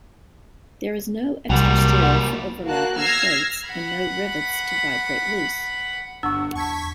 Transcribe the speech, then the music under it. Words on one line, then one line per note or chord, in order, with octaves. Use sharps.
There is no extra steel for overlapping plates and no rivets to vibrate loose.
C2 F#3 G3 A#3 F#5
A#3 F#4 A5 F#6
E6 F6 G#6 A#6 C7
F#5 B5
G1 D4 F#5 C#6 E6
E2 A5 C#6 G#6 B6